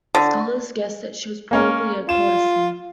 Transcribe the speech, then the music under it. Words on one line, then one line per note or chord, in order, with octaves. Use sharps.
Scholars guess that she was probably a courtesan.
D3
A#3 C#4 A#4
F4 E7